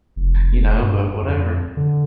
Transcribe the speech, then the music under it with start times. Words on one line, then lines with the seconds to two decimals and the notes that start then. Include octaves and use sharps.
you know, but whatever.
0.16 F1
0.81 G2
1.22 F2
1.77 D3